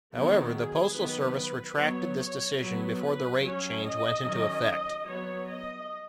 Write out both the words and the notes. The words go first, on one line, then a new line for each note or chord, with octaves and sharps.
However, the postal service retracted this decision before the rate change went into effect.
D#3 F#3 B3
G#4
D#3 F#3 B3 B4
F#3 B3 C#5
C#5
F#3 B3 B4
B4
F#3 C#4 C#5
D#5
D#3 F#3 C#4
F#3 B3 C#5
D#5